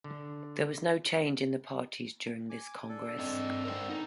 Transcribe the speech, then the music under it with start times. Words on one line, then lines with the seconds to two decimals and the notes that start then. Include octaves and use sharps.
There was no change in the parties during this Congress.
0.04 D3
2.50 G#5 D6
2.89 D4 A4
3.19 C4 D#5 G5
3.65 A#4 C5 G5
3.89 B3 D#4